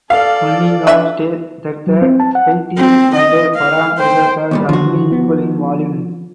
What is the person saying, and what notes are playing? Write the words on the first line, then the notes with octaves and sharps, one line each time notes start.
Cunningham states that the Spiti and Parang rivers are roughly equal in volume.
A4 D5 F5
D4 B4 E5
F#3
C4
A5
F#5
C4
D#5
F5
C5 G5
D#2 A#2 G3
D3 D#3 F3 D4 F#4
B3